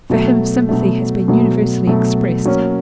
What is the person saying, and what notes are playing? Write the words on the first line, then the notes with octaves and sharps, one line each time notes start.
For him sympathy has been universally expressed.
B2 F#3 A3
B2 F#3 A3
B2 F#3 A3
B2 F#3 A3
F#3 A#3 C#4